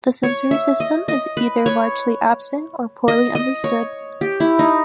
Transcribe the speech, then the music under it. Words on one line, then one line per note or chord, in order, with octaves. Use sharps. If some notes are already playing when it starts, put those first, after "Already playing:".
The sensory system is either largely absent or poorly understood.
C#5
E5
D#5
D#5
B4
C#5
D#5
D#5
C#5
G4
E4
D#4